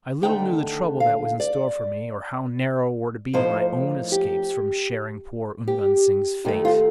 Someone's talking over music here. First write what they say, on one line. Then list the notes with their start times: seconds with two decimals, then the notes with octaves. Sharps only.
I little knew the trouble that was in store for me, or how narrow were to be my own escapes from sharing poor Ungan Singh's fate.
0.23 D#2 D3 A3 D#4 G5
1.00 F5
1.40 D5
3.33 A2 F3 A#3 D#4 C5
4.12 G4
5.68 G4
6.45 D#2 D#3 A3 G4
6.65 F4